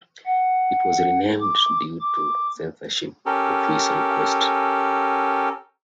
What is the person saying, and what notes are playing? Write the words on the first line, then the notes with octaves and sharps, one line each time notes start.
It was renamed due to censorship office request.
F#5
D6
D6
C#4 G4 A4 A#4